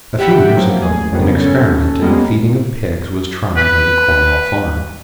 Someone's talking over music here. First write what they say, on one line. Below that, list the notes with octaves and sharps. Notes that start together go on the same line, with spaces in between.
A few years ago an experiment in the feeding of pigs was tried on the Cornell farm.
G4 E5 F#5 G5 B5
F3 F#3 A#3
A1 G#4
F2 C#3 F#3 G3 A#3 B3
C#4 A4
G3 G#3 A#3 B3 C#4
B4